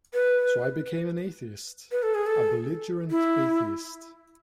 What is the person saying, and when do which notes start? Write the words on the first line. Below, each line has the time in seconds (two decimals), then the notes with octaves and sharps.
So I became an atheist, a belligerent atheist.
0.14 B4
1.92 B4
2.03 A4
2.15 G#4
2.27 A4
3.11 E4